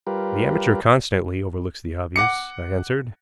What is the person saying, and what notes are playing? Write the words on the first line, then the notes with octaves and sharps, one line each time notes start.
"The amateur constantly overlooks the obvious," I answered.
G3 F4 G4 A#4 B4
F#5 D6 C#7